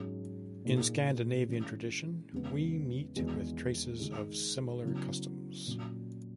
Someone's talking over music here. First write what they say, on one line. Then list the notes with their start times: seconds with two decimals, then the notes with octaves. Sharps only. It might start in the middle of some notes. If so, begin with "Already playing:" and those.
In Scandinavian tradition we meet with traces of similar customs.
Already playing: G#2 F#3 C#4 G#4
0.65 A#2 A#3 D#4 G#4
1.48 E3 G#3 C#4
2.32 E2 C#3 G#3 B3
3.16 E2 D#3 G#3 B3 F#4
4.00 D#3 G#3 D#4 G#4
4.83 C#3 F#3 B3 E4
5.67 A#2 F#3 C#4